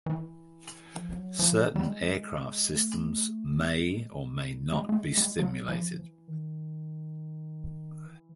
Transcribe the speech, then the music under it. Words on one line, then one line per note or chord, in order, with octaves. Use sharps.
Certain aircraft systems may or may not be simulated.
E3
F3
F#3
F3
G3
G#3
A3
G#3
G3
G#3
A3
G#3
G#3
F#3
F3
E3
D#3
E3